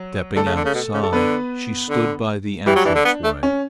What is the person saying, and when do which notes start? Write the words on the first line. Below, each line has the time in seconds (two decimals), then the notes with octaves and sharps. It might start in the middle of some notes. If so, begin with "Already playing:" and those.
Stepping outside, she stood by the entrance way.
Already playing: F#3
0.36 D3 A3 A4
0.46 C#3
0.55 D3
0.65 C#3
0.74 B2
0.94 C#3
1.03 A4
1.13 D3 B3 B4
1.89 D3
2.66 E3 G3 G4
2.76 F#3
2.85 E3 D4
2.95 D3
3.05 B3
3.24 A3
3.43 C#4